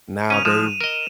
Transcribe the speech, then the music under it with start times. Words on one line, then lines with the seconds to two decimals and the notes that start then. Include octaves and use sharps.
now they've
0.30 C#3 C#4 D#7 F7
0.45 F3 G#3 E7
0.81 A#4 D#5